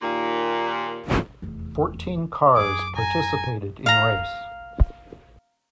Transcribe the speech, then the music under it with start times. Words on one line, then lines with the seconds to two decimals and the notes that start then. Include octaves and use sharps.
Fourteen cars participated in race.
0.02 D#2 A#2
1.42 F1 E2
2.57 F#2 G#4 D6
2.96 G#5 A#5
3.86 F5 A#5